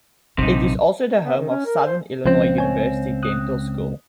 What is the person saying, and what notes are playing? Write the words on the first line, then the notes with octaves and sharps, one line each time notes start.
It is also the home of Southern Illinois University Dental School.
A#1 C3 F#3 D#4
B3
D#3
C#4
A#4
C5
C#2 F3 C4 C#4 C5
C#5 G#5
D#6 F#6